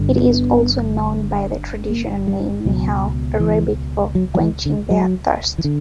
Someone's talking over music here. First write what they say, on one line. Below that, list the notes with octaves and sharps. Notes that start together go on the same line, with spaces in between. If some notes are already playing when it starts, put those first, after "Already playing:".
It is also known by the traditional named "Nihal", Arabic for "quenching their thirst".
Already playing: G1 G2 D3
B3
A#3
G3
C#2 B2 F#3
E3
F#3
F#3
E3
D3
F#3
E3
D3